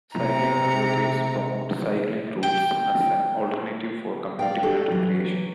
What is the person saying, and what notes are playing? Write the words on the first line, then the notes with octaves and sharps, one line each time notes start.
Cycling advocates promote cycling routes as an alternative for commuting and recreation.
C3 A#5
G5
D5 F5 G5
D4 F#4 G4 A4 A5
E3 F#3